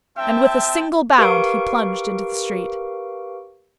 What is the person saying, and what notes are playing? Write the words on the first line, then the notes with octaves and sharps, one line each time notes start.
And with a single bound he plunged into the street.
C4 E5 G5 A5
G4 A#4 B4 F5 C#6 D7